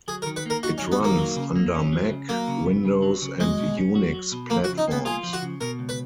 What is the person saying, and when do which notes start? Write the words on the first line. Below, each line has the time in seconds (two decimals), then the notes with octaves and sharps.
It runs under Mac, Windows, and Unix platforms.
0.08 F#3 G#4
0.22 A#4
0.26 D#3
0.36 B4
0.46 A#3 A#4
0.63 D#4 F#4
0.78 C#4
0.82 F#3
0.92 B3
1.00 D#3 A#3
1.19 F#3
1.37 C#3
1.56 A#3
1.74 C#4
1.93 F#3
2.10 C#3
2.29 F#3 A#3
2.48 C#3
2.66 B3
2.85 C#3
3.02 F#3
3.22 C#3
3.39 F#3 G#3
3.59 B2
3.77 C#4
3.95 F#4
4.14 F#3
4.32 B2
4.50 F3 A#3
4.64 F#4
4.69 C#3
4.78 D#4
4.88 A#3 B3
5.05 F4 G#4
5.23 F3
5.33 F#4
5.42 C#3
5.61 B2 A#4
5.79 C#2
5.89 B4